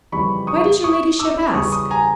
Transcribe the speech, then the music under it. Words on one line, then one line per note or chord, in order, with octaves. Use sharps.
"Why does your ladyship ask?"
F2 C#3 E3 G3 B5 C#6
C#6 D#6
C#6 D#6
D6 E6
E2 C#3 E3 G3 C#6 D#6
C#6 D#6
G#5 A#5